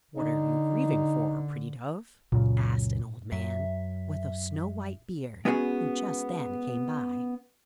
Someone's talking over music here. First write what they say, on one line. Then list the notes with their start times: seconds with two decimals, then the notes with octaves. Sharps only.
"What are you grieving for, pretty dove?" asked an old man, with a snow-white beard, who just then came by.
0.17 D3 D#4
2.32 C#2 F#2 A#2 C#3
3.32 F#2 E5
5.45 G#3 B3 C#4 F#4 G#4